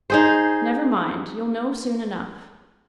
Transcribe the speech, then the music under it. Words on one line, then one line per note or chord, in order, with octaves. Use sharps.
'Never mind; you'll know soon enough.
D#4 G#4 C5